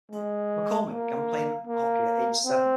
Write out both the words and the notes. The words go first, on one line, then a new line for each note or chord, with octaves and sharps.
MacCormik began playing hockey at age seven.
G#3
A#3
A#3
C4